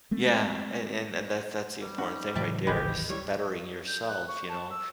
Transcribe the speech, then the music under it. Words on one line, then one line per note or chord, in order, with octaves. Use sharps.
Yeah, and and and that's that's the important thing right there is bettering yourself, you know,
G#3 A3 C4
G3
C#4 D#4 F#4
C#2 A2 E3 F#3 D5 E5 G5 A5
D1 G#1 E3 G#3 E4 G4 B4
G3 E4 C#5
G6
F#6
C#6
A5
E6